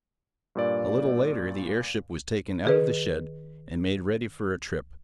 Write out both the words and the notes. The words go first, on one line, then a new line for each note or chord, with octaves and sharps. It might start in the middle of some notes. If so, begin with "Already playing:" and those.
A little later the airship was taken out of the shed, and made ready for a trip.
G2 A#2 D5
D#3 G#4 B4